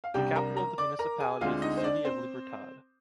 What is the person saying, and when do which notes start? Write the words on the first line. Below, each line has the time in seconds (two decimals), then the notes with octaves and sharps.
The capital of the municipality is the city of Libertad.
0.04 F5
0.14 C2 C3 G3 D4 G4 G5
0.35 A#4 A#5
0.57 A#4 A#5
0.78 D5 D6
0.99 A#4 A#5
1.20 G#4 G#5
1.41 D2 D3 G#3 C4 F4 F5
1.62 D#4 D#5
1.77 C5
1.83 D4 D5
2.05 C4 C5